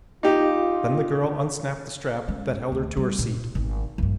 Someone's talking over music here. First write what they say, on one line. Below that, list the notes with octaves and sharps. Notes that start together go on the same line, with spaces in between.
Then the girl unsnapped the strap that held her to her seat.
D#4 F4 G4
G#3 C#4
D2
G3
A#2
G#1 B2
A#1 G2